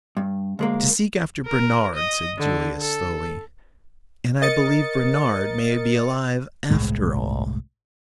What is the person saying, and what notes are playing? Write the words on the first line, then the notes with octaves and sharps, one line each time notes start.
"To seek after Bernard," said Julius, slowly, "and I believe Bernard may be alive after all."
G2
D2 G#3 A#3
A#4
D#5
D3
A4
A#4 D#5 A6 C#7
G1 C2 A2 G#3